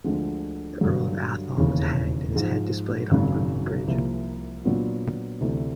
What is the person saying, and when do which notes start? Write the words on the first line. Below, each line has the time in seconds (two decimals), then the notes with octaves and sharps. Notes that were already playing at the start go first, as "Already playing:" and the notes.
The Earl of Atholl was hanged and his head displayed on London Bridge.
0.04 D2 D3 F3 G#3
0.81 G2 D3 F#3
1.57 E1 D#2 C#3 E3
2.34 G#2 F3 G#3
3.11 G#1 F#2 C#3 F#3
3.88 C2 C3 F3 A#3
4.64 A#2 F#3 B3 D4 F4
5.40 D2 C3 E3 A3 D4